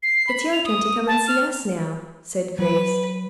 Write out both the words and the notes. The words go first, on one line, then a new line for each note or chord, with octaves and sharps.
"It's your turn to come and see us now," said Grace.
C7
B5
F7
D#6
A5
F6
F#3 B4